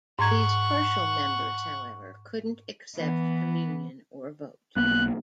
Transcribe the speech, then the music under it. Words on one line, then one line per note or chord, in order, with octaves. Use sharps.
These partial members, however, couldn't accept communion or vote.
G#2 F#5 A#5 C#6 G#6
E3 B3
B1 A#3 B3 F#6